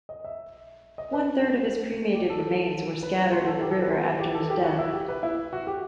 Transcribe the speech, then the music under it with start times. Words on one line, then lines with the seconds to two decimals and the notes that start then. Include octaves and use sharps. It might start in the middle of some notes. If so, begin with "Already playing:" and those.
One third of his cremated remains were scattered in the river after his death.
0.09 D#5
0.24 E5
0.98 D#5
1.13 B4
1.42 F#4
2.15 G4
2.30 A4
3.03 B4
3.32 C5
3.47 A4
3.61 G4
3.71 A4
3.82 B4
3.90 C5
4.20 G4
4.35 A4
4.50 G4
4.64 F#4
4.79 E4
4.94 G4
5.08 B4
5.23 E4
5.53 F#4
5.67 G4